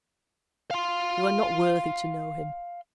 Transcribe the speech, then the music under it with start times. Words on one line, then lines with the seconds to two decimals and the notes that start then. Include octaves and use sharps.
You are not worthy to know him.
0.71 F5 C6